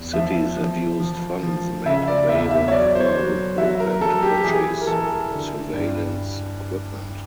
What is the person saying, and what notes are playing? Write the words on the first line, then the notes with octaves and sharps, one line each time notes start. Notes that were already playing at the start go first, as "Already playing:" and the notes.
Cities have used funds made available through the program to purchase surveillance equipment.
Already playing: E2
F3 E5
F3
F3
F3
C#3 E5
D5
E2 E5
E5
C#5
F#3 D5
C5
C#5
F#3
F#3 E5
A#4
F#3 A4
G4
G4
E3 G#4
A#4
E3 A4
D3
G2